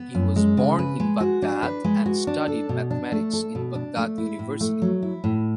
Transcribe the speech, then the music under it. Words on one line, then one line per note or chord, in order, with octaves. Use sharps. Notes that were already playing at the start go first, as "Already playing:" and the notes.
He was born in Baghdad and studied mathematics in Baghdad University.
Already playing: B3
F#2
G#3
C#3
B4
G#3
F#4
D4
B4
G#3
F#4
D4
A4
B2
D4
A3
A4
B2
D4
A3
E4
A2
A3
F#3
E4
A2